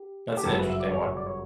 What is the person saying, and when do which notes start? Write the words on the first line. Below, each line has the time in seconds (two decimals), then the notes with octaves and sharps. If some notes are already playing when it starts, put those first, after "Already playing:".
That's an interesting one.
Already playing: G4
0.37 G4
0.45 G1 F#2 C#3 A4
0.57 B4
0.70 E5
0.80 D5
0.92 C#5
1.04 C#5
1.17 D5
1.26 C#5